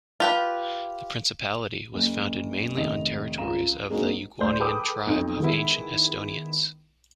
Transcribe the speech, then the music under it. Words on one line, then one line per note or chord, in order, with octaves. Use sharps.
The principality was founded mainly on territories of the Ugaunian tribe of ancient Estonians.
F4 G4 B4
F#1
F1 D#3 D#5 F7
C#2 F4 A#5 E7
G#3 A#3 C4 D4 D#4 F#4
D2 C5 D5 C6 G6
G#4 A4 B4 G5 D6 D#6
B1 F2 D#4
D#3 G#3 B3 E4